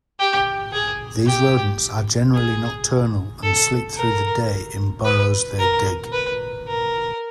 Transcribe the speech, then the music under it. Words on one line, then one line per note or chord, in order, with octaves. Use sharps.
These rodents are generally nocturnal and sleep through the day in burrows they dig.
G4
G#4
G4
G#4
A4
A#4
B4
A#4
B4
A#4